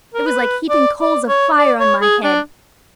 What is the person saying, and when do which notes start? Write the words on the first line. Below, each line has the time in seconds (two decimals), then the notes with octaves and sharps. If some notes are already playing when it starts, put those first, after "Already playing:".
It was like heaping coals of fire on my head.
0.14 A#4
0.26 B4
0.70 D5
0.99 D5
1.29 C#5
1.58 D5
1.80 C#5
2.02 G#4
2.24 D4